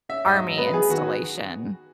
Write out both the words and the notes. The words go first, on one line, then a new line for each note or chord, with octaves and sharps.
Army installation.
C#4 E5
G#2 D#5
F#3
B3 B4
B3 G#4
D#3 F#4